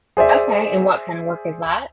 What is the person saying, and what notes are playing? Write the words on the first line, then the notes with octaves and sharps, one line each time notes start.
Okay, and what kind of work is that?
G#4 C5 D5 E5